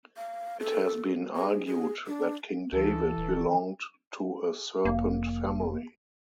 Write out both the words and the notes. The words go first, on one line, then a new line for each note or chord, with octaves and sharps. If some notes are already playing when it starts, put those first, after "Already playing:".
It has been argued that King David belonged to a serpent family.
F5
A4
G#4
G#4
D4
C#2 E3 A4
D#1
F1 A#3